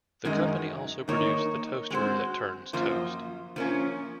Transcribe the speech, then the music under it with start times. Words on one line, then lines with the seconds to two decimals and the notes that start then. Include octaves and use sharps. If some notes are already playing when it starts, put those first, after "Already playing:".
The company also produced the toaster that turns toast.
0.25 F#2 D#3 G#3 D#4 A#4
1.08 D#3 A#3 D#4 A#4 C#5
1.90 G#3 C4 F#4 C5
2.73 F#2 F3 A#3 F4 C5
3.56 F3 A#3 C#4